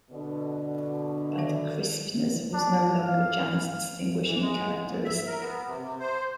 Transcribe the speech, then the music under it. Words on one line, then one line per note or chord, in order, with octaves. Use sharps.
But crispness was no longer Janet’s distinguishing characteristic.
B2 D3
D#3 E5
D4
F5
E3
G#3
G#2
E5
A#4
B3
C3
C3
C5